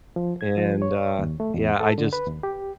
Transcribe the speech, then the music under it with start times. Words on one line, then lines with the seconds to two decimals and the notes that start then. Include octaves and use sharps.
and uh, yeah, I just
0.16 F3
0.41 G#6
0.57 F3
0.82 C#5
1.19 D#2
1.40 A3
1.54 E2
1.80 A4
1.98 D3
2.13 B4
2.27 D#2
2.43 G4